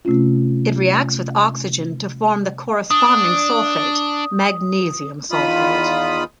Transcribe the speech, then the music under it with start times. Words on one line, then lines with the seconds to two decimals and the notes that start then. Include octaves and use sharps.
It reacts with oxygen to form the corresponding sulfate, magnesium sulfate.
0.05 C3 A3 C4 C#4 F4
2.91 D4 D#6
5.31 E2 D#3 F4 B5 D#6